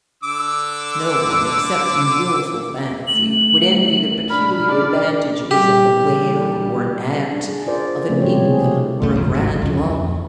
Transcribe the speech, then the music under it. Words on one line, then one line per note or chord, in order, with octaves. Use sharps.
No one, except in wilful fancy, would envy the peculiar advantages of a whale or an ant, of an Inca or a Grand Lama.
D3 D6 E6
A3 F#7
D4 B5 F6
D5
A#2 E3 G3 G4
D4
G#4
F4 A#4 C5 D5
C#3 F3 A3 C4
B2 D3 G3 C4 G4 C#5
C3 E4 G4 G#4
C2 F#2 A3
F1 C#2 G2 F3
G1 D2 G#2 F#3
C#2 F#2 F3
F2